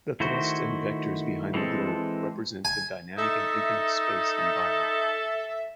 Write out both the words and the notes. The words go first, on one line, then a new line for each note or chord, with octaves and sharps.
The thrusts and vectors behind the globe represent the dynamic and infinite space environment.
D#3 A3 E4 F#4 C5
E3 G#3 C4 A4
G#5
D#4 A4 E5